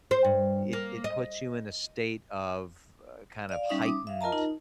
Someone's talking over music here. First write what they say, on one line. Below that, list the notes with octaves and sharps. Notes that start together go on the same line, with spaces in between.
it it puts you in a state of, uh, kind of heightened
C5
G2
A#3
D#5
D5 F5
G3 C#4 D#4 E5 D#6
D6 D#6
E5 F5
F4 A#4 D#5 A5 A#5
D#4